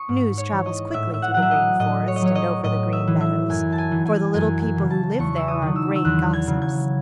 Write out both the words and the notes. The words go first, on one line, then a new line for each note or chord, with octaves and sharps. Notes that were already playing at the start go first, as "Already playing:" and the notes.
News travels quickly through the Green Forest and over the Green Meadows, for the little people who live there are great gossips.
Already playing: C#6 D#6
G#2
C#5
E3
D#5
A2 E5
E5
F#5
F#3 F#5
E5
D#5
A2 D#5
C#5
D#5
F#3 C#5
D#5
A2 D#5
E5
E3
E5
F#2 G#5
A5
G#5
E3
G#5
F#2 G#5
G#5
C#3 E3
A5
E2 C#6
E6
D#6
D#3 F#3
E6
E6
E2 F#6
G#6
C#3 F#3
G#6